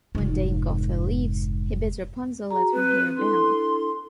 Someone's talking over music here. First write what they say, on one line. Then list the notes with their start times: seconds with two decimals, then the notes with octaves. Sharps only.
When Dame Gothel leaves, he bids Rapunzel let her hair down.
0.15 F1 G#2
2.51 F#4 G#4 A#5
2.73 C4 B4
3.17 D4 E4 A4 C6